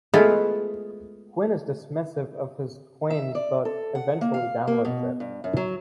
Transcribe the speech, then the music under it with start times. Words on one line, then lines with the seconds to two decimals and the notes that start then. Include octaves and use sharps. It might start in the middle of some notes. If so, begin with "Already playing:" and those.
Quinn is dismissive of his claims but eventually downloads it.
0.14 G#3 A3 B3 E4 F4
3.10 E5
3.35 D5
3.65 A4
3.95 F#5
4.21 A#3
4.34 F5
4.67 A#3
4.85 B2
5.20 G2
5.44 F#2
5.57 F#3